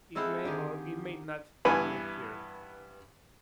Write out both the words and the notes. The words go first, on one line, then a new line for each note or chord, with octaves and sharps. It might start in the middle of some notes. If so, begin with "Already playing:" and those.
It may or it may not be near here.
G#3 C4 E4 A4 F5 F#5
D3 D#3 G4 G#4
G2 E3 B3 G#5 B5